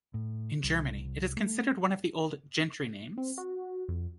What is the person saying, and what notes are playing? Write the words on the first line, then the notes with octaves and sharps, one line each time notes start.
In Germany it is considered one of the old "gentry names".
A2
C2
A3
C4
F#4
F2